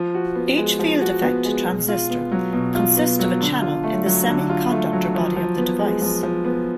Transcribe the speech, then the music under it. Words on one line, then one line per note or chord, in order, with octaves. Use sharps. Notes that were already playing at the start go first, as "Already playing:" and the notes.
Each field-effect transistor consists of a channel in the semiconductor body of the device.
Already playing: F3
F#4
B3
G#3
F3
F#4
B3
G#3
B2
F4
B3
F#3
B2
F4
B3
F#3
D3
F4
A3
F#3
D3
F4
A3
F#3
F3
F3
B3
G#3
F3
F3
B3